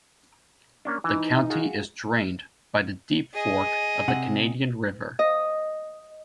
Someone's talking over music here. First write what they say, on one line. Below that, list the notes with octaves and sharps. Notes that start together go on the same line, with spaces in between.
The county is drained by the Deep Fork of the Canadian River.
A#3 C#4 D4
E3 D#4
F4 F#4 G#4
G#4 D#5
C3 F#5
D#5